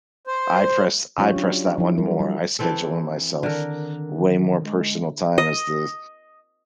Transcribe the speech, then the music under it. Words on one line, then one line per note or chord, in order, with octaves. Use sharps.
I press I press that one more, I schedule in myself way more personal time as the
C5
F#3 C#4 F4 G4 C#5
D4
F3 F#3 E4
G3 A#4
G3
E3 C4 A4
D3 D#3 A#4
G#3
D#5